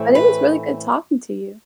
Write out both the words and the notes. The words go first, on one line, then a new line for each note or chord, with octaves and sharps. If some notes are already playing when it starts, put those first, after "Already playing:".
But it was really good talking to you.
Already playing: A2 E3 A3 C4
B4